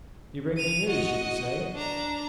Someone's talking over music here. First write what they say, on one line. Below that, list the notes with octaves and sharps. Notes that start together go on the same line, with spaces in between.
"You bring me news, do you say?"
D#7 F7
F#4 D#5
D4 A#5